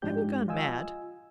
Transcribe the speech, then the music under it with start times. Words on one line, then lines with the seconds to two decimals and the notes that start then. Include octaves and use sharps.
"Have you gone mad?"
0.02 G#2 F3 G#3 D4 G4 G6
0.48 F4 D#5 G#5 E6